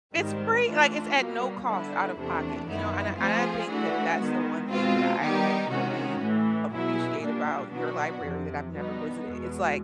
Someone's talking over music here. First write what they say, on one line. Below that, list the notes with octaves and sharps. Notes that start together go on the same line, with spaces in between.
It's free like, it's at no cost out of pocket, you know? And I and I think that that's the one thing that I can really appreciate about your library that I've never visited. It's like,
G#2 D#3 G3 C4
E3 A3 D4 F4
B2 G3 A#3
D3 G3 B3 E4
E2 C3 E3 A3 D4
F#2 D#3 G3 B3 E4
F3 A3 C4 F4 G#4
E3 A3 D4 F#4
D#3 G#3 B3
B2 G#3 C4 F4
D#3 G3 B3 D#4 G4
C3 D#3 G#3 C#4 F#4
A2 E3 A3
B2 F#3 B3 E4 G#4
A#2 G3 A#3 D4
B2 F#3 B3 D4 F#4
F2 C3 F3
B2 G3 B3 D#4
E2 B2 G#3